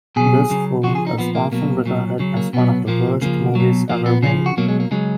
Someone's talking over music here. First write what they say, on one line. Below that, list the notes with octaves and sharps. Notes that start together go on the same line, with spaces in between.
This film is often regarded as one of the worst movies ever made.
B2 F#3 G#4
C#3 F#3
C#3 F3 F#4
G#4
D#4
A#2 F3 B3
A#3
B2 F#3 A#3
A#2 F#3
C#3 F#3
A#3
B2 F#3 B3
A#2 F3 A#3
C#3 F3 A#3
B2 F#3
A#2 F3 A#3
B3
C#3 F3 C#4
F#4
B2 F#3 A#3
G#3
A#3
C#3 F#3 G#3